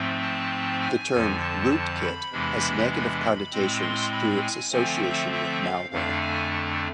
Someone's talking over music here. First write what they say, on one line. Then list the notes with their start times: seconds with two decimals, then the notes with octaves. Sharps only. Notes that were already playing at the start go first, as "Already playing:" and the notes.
The term "rootkit" has negative connotations through its association with malware.
Already playing: G#2 F3 A3 C4
0.23 A5
0.82 G#5
1.12 F2 D3 F3
1.43 A5
1.72 A5
2.03 B5
2.32 E2 C3 E3 G#3 D4
2.92 B5
3.22 B5
3.52 A2 G#3 C4
3.82 C6
4.12 B5
4.42 G#5
4.72 D3 F3 A3 C4 G#5
5.02 E5
5.31 E5
5.62 F5
5.91 F2 D3 A3 D4 F5
6.22 G#5